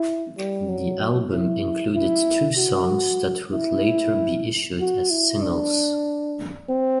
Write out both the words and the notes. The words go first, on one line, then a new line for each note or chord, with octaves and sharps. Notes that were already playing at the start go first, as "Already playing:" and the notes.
The album included two songs that would later be issued as singles.
Already playing: E4
G3
F#3
E4
E4
F#4
E4
F#4
E4
D4
C4